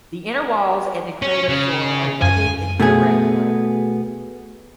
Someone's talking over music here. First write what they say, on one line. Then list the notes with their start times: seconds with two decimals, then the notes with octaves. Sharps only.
The inner walls and the crater floor are rugged and irregular.
1.22 C#4
1.49 C#3
2.22 F#2 G#5
2.80 B2 A3 B3 G#4